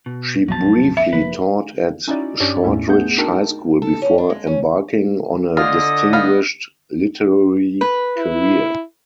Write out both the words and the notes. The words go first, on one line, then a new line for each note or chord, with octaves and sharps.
She briefly taught at Shortridge High School before embarking on a distinguished literary career.
B2
A#1 F2 B2 F#3 A5
E5
F1 F3 A#3 B4
C#4 D#4 E4 F#4 D5
G2 C#4 D4 G4 C#5 D5
E2 A2 A3 C#4 E4
A3 B3 G#4 F#5 G6
D4 D#4 F#4 A#4 G5 A5
D#4
A4
C#4
D4
G#3
C#4
D3 F4 D#5 D#6
B3 F5
B4
E4